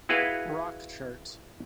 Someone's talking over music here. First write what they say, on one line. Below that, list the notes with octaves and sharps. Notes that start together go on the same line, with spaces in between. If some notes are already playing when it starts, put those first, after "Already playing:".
Rock Chart.
E4 F#4 G#4 B4 F5 G5